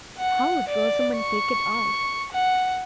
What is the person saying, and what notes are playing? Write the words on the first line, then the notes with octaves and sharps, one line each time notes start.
How would Rosamond take it all?
F#5
D5
C#6
F#5